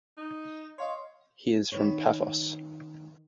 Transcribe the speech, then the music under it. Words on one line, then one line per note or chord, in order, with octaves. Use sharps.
He is from Paphos.
D#4
C#5 D#5 F5 C6
D#3 B4 C#5